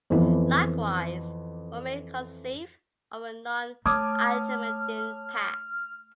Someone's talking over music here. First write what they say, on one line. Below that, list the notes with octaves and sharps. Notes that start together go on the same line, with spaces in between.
Likewise, one may conceive of a non-archimedean past.
F2 E3 B3
A3 C#5 A5 D6 D#6 F6 G#6